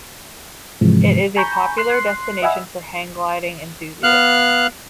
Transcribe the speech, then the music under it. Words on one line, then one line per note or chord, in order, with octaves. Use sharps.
It is a popular destination for hang-gliding enthusiasts.
G#2 C3 E3 F3 G#3
G#5 A#5 B5 C#6 G6
C6 F#6 C7
D#5 E5 F#5 G#5 B5 E6
B3 F5 F6 F#6